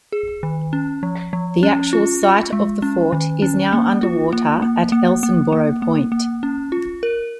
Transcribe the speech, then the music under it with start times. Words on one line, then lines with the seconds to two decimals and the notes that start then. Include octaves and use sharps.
The actual site of the fort is now under water at Elsinboro Point.
0.12 G#4
0.43 D#3
0.73 C#4
1.03 F3
1.33 F3
1.63 C#4
1.93 F4
2.23 F4
2.53 G#3
2.82 C#4
3.12 D#3
3.42 C#4
3.73 A#3
4.03 F4
4.33 A#3
4.62 A#3
4.92 A#3
5.23 A#3
5.52 A#3
5.82 A#3
6.12 A#3
6.43 C#4
6.72 F4
7.03 A#4